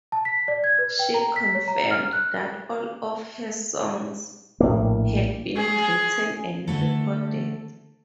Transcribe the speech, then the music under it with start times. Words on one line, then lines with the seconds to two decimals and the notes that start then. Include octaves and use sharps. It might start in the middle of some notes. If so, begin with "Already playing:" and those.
She confirmed that all of her songs had been written and recorded.
0.12 A5
0.25 B6
0.48 D5
0.64 G#6
0.79 B4
0.99 G5
1.14 A#5
1.36 B6
1.55 C#5
1.68 A#5
1.91 F6
2.13 F#6
4.60 A#1 A2 A#3
5.56 G#4
6.68 D3 A3 A4